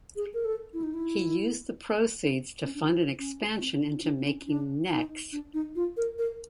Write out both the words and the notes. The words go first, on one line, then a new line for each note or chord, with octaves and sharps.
He used the proceeds to fund an expansion into making necks.
G#4
A#4
A4
E4
D#4
E4
C#4
D4
C#4
C4
D4
D4
C4
C#4
D4
D#4
D4
D#4
F4
A#4
A#4